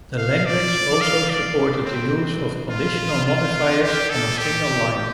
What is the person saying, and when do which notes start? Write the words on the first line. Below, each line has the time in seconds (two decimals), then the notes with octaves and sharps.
The language also supported the use of conditional modifiers on a single line.
0.17 F5
0.45 D5
1.01 F5
1.29 D5
1.85 C4
2.69 F4
3.26 F4
3.82 G4
4.10 A4
4.38 G4